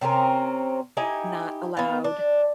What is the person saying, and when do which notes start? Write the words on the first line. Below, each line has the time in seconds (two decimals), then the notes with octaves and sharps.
not allowed
0.01 C3 C4 C#4 A#4
0.97 D#4 E4 G4 G#5
1.77 B3 F4
2.04 D4